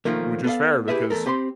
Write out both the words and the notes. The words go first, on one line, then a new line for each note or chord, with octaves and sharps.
Which is fair, because
B1 F2 D#3 F3 A3 A#3
B3 A4 D5 F5
E4 G4 G#4 B4 E5
E2 A3 A4 A#4
C4 G4 C5 B5 C6